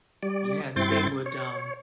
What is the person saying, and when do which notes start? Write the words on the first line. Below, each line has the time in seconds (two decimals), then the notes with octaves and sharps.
Yeah, that they would, um,
0.23 G3 D5
0.76 G2 C4 E4 G5 C6 A6
1.26 C#5